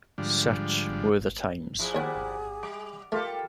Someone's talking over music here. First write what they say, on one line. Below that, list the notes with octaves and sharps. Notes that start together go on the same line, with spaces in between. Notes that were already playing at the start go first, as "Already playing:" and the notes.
Such were the times.
G#2 D3 F3 G3 D4
A#2 F3 E4 G#4
D#2 G3 C#5 D5 F#5
G3 D6
G3 A3 F4 G4 A4 A#4